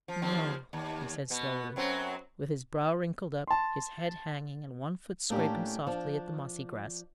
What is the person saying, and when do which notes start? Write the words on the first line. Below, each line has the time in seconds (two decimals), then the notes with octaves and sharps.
"No," he said slowly, with his brow wrinkled up, his head hanging and one foot scraping softly at the mossy grass.
0.08 F3
0.22 D#2 F3 C4
0.73 D#2
1.30 B2 B3
1.76 F#2 F#3 C4
3.47 A5 C6
5.30 A2 A3 A#3 C#4 D4 G4
5.87 F3 D4